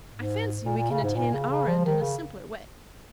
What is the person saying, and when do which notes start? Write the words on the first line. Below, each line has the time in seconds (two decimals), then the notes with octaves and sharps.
I fancy we can attain our end in a simpler way.
0.14 G#2
0.65 A#2
0.77 A#2
0.90 C#3
1.03 G#2
1.16 A#2
1.33 C#3
1.50 C#3
1.67 F3
1.84 D#3
2.01 C#3